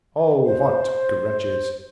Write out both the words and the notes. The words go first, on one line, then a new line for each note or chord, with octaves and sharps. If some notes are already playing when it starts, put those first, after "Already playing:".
Oh, what grudges!
C5